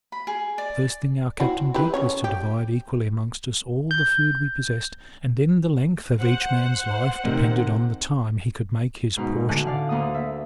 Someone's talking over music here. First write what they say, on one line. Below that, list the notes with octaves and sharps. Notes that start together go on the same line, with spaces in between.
The first thing our captain did was to divide equally amongst us all the food we possessed, and then the length of each man's life depended on the time he could make his portion last.
B5
G#4
D5
C4 E4 F#4
E4 G4 B4
C#3 C#4 C#5
G4
G6
C5 F#5
C3 D#3 C4
G#2 B2 D#4
A2 D3 G#5 F#6
D5 F5 F#5
D2 A#3 D#6
E5